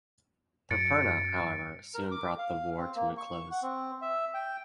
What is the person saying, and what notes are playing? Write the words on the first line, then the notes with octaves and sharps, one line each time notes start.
Perperna, however, soon brought the war to a close.
F#2 A6 C#7 D7
A#4
D6
F5
C4
A#3
C#6
F#5
C4
E5
G5